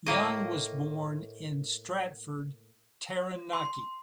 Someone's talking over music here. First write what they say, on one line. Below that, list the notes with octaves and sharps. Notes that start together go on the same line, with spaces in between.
Young was born in Stratford, Taranaki.
A2 A#3 D#5
C6